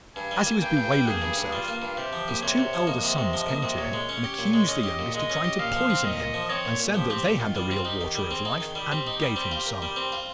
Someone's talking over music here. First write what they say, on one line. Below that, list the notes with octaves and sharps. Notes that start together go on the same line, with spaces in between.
As he was bewailing himself, his two elder sons came to him and accused the youngest of trying to poison him, and said that they had the real Water of Life, and gave him some.
G2 G#5
G3
A#3
G2 G5
G2
G3
A#3 G#4
G2
G2
G3 F4
A#3
G2
C3 G4
F3
A#3
C3 C#5
C3
F3
A#3 D#5
C3
C3
F3 D#5
A#3
C3
A#2 C#5
G#3
C#4
G4
A#2
G#3
C#4 D#5
G4
A#2
G#3 D#5
C#4
G4
A#2 F5
F3
C4
A#2 D#5
A#2
F3
C4 C#5
A#2
A#2
F3 G4
C4
A#2
D#3 F4
G3
C4
D#4 G4
D#3
G3
C4 G#4
D#4
D#3
G3 G4
C4
D#4
G3
C4
F4
A#4
G3
C4
F4